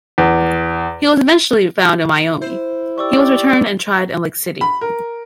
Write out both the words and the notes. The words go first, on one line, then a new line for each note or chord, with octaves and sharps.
He was eventually found in Wyoming; he was returned and tried in Lake City.
E2
E4 C5
G4 D5 C#6 D6 E6
B5
A#4